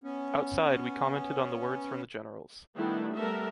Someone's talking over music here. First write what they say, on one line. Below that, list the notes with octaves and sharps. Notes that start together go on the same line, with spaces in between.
Outside, we commented on the words from the generals.
B3 C#4
D#3 G3 A3 B3 D4 E4
G3 A3 B3 A4 A#4 E5